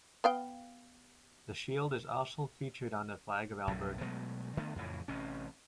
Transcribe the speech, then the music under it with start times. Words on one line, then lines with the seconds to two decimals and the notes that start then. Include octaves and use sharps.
The shield is also featured on the flag of Alberta.
0.24 B3 F5 G5
3.67 B1 F#2 A2
4.01 B2 F#3 G#3 A3
4.57 D3 A3 B3
4.76 F2 A2 C#3 E3
5.08 A1 C3 C#4